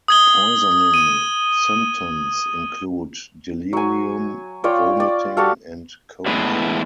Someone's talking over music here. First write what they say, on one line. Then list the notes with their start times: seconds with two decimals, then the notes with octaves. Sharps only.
Poisoning symptoms include delirium, vomiting, and coma.
0.08 D#6 G#6 G7
0.94 D#7
3.73 F#3 G#5
4.64 F4 C#5 D5 G5
4.97 D5 G5
5.37 F#4 G4 A4 F5
6.26 E2 A2 E3 G#3 B3 E4